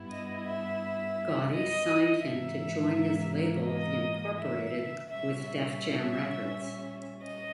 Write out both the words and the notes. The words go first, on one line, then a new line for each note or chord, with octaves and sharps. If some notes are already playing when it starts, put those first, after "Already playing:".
Gotti signed him to join his label The Incorporated with Def Jam Records.
Already playing: G2 G3 B3 E4
D#5
E5
D#5
G#2 E3 A#3 E5
D#5
E5
A#2 G3 C#4 E5
E5
D#5